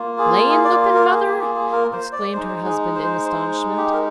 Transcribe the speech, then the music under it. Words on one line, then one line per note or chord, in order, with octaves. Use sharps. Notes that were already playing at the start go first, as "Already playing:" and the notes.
"PLAIN LOOKING, mother?" exclaimed her husband in astonishment.
Already playing: A#3 F4
G#4
G#4
D5
A#4
G#4
G4
G#4
G#4
A#4
C5
D5
G#3 D#4 C5
C5
G#4
C5
C5
G4
A#4